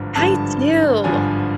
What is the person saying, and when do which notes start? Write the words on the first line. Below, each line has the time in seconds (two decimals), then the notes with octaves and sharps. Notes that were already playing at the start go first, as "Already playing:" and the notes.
I do.
Already playing: G#1 G2 D3 F3
0.15 G#1 G2 D3 F3 A5
1.04 G#1 G2 D3 F3 G#5